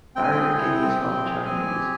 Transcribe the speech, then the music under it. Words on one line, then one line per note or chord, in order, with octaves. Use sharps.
Barry McGee is half Chinese.
C4 G5
G#5
G5
G#4
E4
C4
C4
G#4
C4 G#5
G4